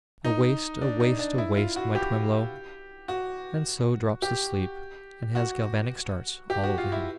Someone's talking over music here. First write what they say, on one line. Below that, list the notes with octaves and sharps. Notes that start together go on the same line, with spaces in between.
A waste, a waste, a waste, my Twemlow!' And so drops asleep, and has galvanic starts all over him.
D#4
D4
D#4
D4
E4
F4
F#4
G4
F#4
G4
F#4
G4
F#4
F4
E4